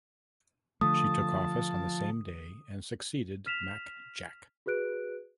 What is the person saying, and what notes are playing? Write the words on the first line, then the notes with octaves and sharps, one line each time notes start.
She took office on the same day and succeeded Mac Jack.
D3 F3 A3 A5 D#6
F6 B6 E7 F7
F#4 G#4 B4 F#6 D7